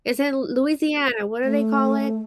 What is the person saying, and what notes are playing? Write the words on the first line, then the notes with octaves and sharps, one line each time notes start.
it's in Louisiana; what do they call it?
A3